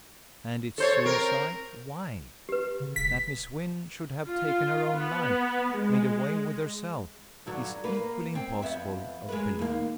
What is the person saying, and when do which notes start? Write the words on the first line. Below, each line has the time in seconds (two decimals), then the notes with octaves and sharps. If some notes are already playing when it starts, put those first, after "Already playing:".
And if suicide, why? That Miss Wynn should have taken her own life--made away with herself-- is equally impossible of belief.
0.78 A4 C5 C#5
1.05 C4 A#4
2.49 G4 B4
2.80 C#3
2.96 E1 B6
4.27 F4
4.97 B3
5.74 G#3
7.46 G2 D3 F#3
7.84 A#3 B4
8.35 C4
8.62 F2 B3 E5
9.29 G#3 A#4 B4
9.59 D#2 A#3